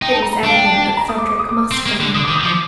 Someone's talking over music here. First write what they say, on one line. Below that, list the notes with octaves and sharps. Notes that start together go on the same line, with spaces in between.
It was evident that Frederick must go.
D#4 G5
A5
A#5
A#5
D4 A5
F5
G5
A5
G5
A5
A5
A#5
D#6
D6
D6
D#6
D6
C4
A#3
D3
D3 D#6
D6
D#3
D#6
F3 D6